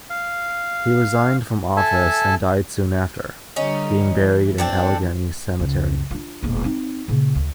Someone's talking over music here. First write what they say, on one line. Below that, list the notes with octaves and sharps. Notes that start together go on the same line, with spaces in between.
He resigned from office and died soon after, being buried in Allegheny Cemetery.
F5
A4 E5 G#5 A5
D3 G3 C#4 D#4
E3
C4 D4 A4
C#2
D4 F4
E1 A#1
C4 D#4
A#2 C#3
D2